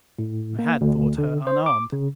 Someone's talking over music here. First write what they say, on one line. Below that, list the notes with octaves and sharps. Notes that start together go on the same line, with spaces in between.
I had thought her unarmed.
A2
A#3
D2
D3
C5
D6
C#3